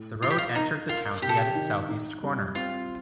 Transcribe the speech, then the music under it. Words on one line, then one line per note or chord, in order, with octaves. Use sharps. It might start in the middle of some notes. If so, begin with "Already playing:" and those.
The road entered the county at its southeast corner.
Already playing: A2
F3 F4
G4
F4
D#4 A#4
F4 A#4
C3 G4
A4
G4
D#3
D#4
G3
C4 F4